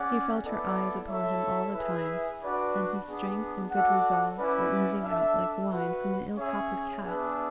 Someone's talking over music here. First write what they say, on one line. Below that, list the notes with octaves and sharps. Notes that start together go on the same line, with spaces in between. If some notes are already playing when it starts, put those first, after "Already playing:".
He felt her eyes upon him all the time, and his strength and good resolves were oozing out like wine from an ill-coppered cask.
Already playing: C#4 G#4 D5 F#5
B3 E4 A4 D5
E4 A4 C#5 E5
E4 G#4 B4 E5
D4 F#4 B4 D5 F#5
B3 D4 G#4
F#4 A4 D5 F#5
C#4 E4 B4 D5 F#5
D4 A4 E5
F#4 B4 F#5
C#4 G#4 C#5 E5
B3 D4 G#4 B4 E5